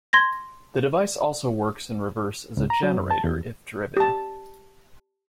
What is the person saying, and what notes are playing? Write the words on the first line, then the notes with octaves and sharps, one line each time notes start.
The device also works in reverse as a generator if driven.
C6 G#6 A#6
C#2
A#5
F#3
F#2
A5
E2
G4 A5